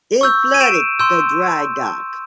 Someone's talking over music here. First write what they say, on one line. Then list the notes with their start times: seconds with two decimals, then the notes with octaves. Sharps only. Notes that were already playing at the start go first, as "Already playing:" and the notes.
It flooded the dry dock.
0.21 C#6 E6 G6
0.54 D#7
0.60 D7 E7
0.99 C6 E6 G6